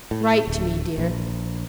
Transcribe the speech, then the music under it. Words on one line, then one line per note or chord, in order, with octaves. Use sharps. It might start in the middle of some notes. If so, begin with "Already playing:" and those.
Write to me, dear.
A2
D1
A#1